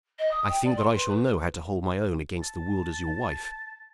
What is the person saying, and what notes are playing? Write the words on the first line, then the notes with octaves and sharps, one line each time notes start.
I think that I shall know how to hold my own against the world as your wife.
D#5
D#6
G5
D5
C6
B4
B4
A5